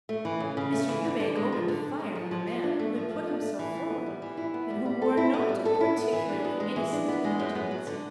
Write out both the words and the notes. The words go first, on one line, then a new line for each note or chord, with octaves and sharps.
Mr. Ewbank opened fire on a man who had put himself forward and who wore not a particularly innocent countenance.
A3
E3
C#3
C#3
A3
E3
D3
D3
G#3
F3
D3
D3
G#3
F3
F3
F3
D4
A3
F3
F3
D4
A3
E3
E4
B3
G3
E3
E4
B3
G3
G3
A4
E4
B3
G3
A4
E4
B3
E3
D4
B3
G#3
E3
D4
B3
G#3
F#2
B3
F#3
D3